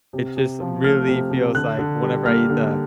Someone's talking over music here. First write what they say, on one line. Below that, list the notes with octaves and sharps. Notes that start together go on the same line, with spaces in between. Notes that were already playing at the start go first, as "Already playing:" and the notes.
It just really feels like whenever I eat the
C3
C3
F3
A3 F6
C3
C3
D3 F#6
D3
G3
A#3 F6
D3